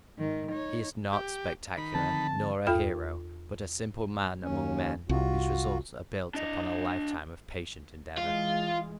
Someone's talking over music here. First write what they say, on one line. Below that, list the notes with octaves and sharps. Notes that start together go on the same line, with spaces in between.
He is not spectacular, nor a "hero," but a simple man among men, whose results are built upon a lifetime of patient endeavor.
G#2 D#3
D#4 C#5
G4
D#3 B5
D3 F3 C4 A5
E2 F4 A4 G5 B5 F6
D#2 C#4
C2 F4 F#4
D4 D#5
E3 G#3 F4